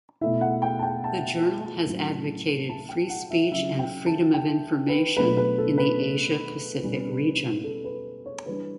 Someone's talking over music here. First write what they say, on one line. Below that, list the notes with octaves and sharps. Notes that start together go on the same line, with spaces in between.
The journal has advocated free speech and freedom of information in the Asia-Pacific region.
B2 A3 E4 E5
F#5
G5
A5
G5
A5
A2 F#3 C#4 E4
A5
G5
F#5
E5
C#3 F#3 C#4 E5
G5
A5
G5
B4
B2 F#3 A3 D4 B4
B4
A4
B4
B2 G3 C#4
A4
B4
C#5
E3 G3 D4 B4